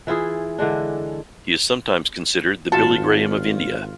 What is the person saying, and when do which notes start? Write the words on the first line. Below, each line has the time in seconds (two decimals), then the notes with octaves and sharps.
He is sometimes considered the "Billy Graham of India".
0.07 E3 E4 F4 G#4
0.58 D3 E3 G#3 D4
2.72 G#1 F4 F#4 G5 A5